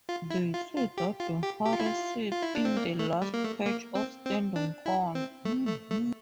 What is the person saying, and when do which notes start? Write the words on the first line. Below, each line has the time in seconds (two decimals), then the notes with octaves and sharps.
They say that the hare sits in the last patch of standing corn.
0.09 F4
0.31 E4
0.54 F4
0.76 F4
0.98 G4
1.20 F4
1.43 G4
1.65 G4
1.73 F4
1.80 E4
1.86 F4
2.31 F4
2.42 E4
2.55 D4
2.65 C4
2.77 A#3
2.99 A3
3.22 G3
3.34 A#3
3.44 A3
3.67 A#3
3.95 C4
4.26 C4
4.56 D4
4.86 E4
5.15 C4
5.45 A3
5.67 A3
5.90 A3